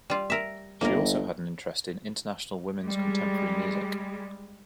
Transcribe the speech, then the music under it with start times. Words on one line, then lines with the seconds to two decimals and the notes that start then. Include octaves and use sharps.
She also had an interest in International Women's Contemporary music.
0.10 G3 F4
0.30 A#4 E5
0.81 G1 A#3 A#4
2.83 G3 G#3